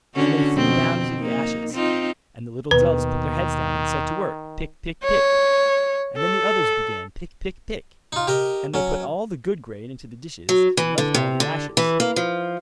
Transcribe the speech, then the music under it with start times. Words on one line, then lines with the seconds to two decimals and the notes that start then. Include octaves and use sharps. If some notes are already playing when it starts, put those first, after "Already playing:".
And they flew down into the ashes; and the little doves put their heads down and set to work, pick, pick, pick; and then the others began pick, pick, pick; and they put all the good grain into the dishes, and left all the ashes.
0.15 D3 C#4 F#4
0.54 F2 B2 C4
1.20 A#3 D#4
1.73 C4 D#4 F4
2.71 D#2 B2 D#3 B4
5.04 C#5
6.17 A4
8.12 D#4 F4
8.27 G4 A#4 D#5
8.74 F#3 C#4
10.49 F#3
10.77 E3
10.98 D3
11.14 C3
11.40 D3
11.77 E3
12.00 A#3
12.16 F3